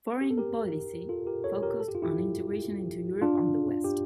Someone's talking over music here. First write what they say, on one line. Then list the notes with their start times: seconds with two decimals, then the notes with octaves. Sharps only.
Foreign policy focused on integration into Europe and the West.
0.21 G4
0.30 A4
0.38 G4 A#4
1.09 F4 A4
1.27 G4 A#4
1.44 A4 C#5
1.62 G4 A#4
1.80 A4
1.88 G4
1.95 F4
2.02 E4 G4
3.21 D4 F4
3.84 G4